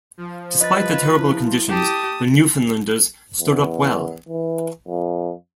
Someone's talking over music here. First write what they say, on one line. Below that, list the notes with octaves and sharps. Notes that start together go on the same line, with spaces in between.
Despite the terrible conditions, the Newfoundlanders stood up well.
F3
B4 D#5 A6
E4
G4 A5 D#6
E2
E3
F2